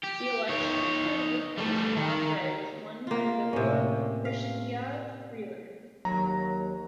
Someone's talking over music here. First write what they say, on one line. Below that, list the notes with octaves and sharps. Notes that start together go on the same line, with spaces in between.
The election to replace Bob Rae was won by Liberal Chrystia Freeland.
G4
D#4 C#5
G3 A3
D#3
A#3 F4
A2 C3 A#3 C#4
F5
D#2 F#3 A#5